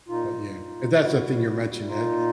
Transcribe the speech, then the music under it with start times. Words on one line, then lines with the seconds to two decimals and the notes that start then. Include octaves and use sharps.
but, yeah. If that's a thing you're mentioning, that
0.08 A#2 D#4 F4
0.39 A#2
0.68 A#2
0.98 A#2 E4 F#4
1.28 G3
1.58 A#2
1.87 A#2 D#4 F4